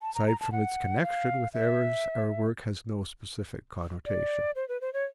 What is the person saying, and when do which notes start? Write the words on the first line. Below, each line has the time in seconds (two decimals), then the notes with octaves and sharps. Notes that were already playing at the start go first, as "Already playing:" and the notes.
Aside from its connection with errors our work has no specific connotation.
0.02 A5
0.15 A#5
0.27 A#5
0.40 A5
0.52 F#5
1.03 F5
1.54 E5
4.06 D5
4.56 C5
4.69 B4
4.81 C5
4.93 C#5